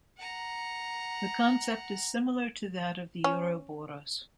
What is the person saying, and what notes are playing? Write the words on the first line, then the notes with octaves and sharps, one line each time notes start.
The concept is similar to that of the Ouroboros.
F#5 A#5
C#4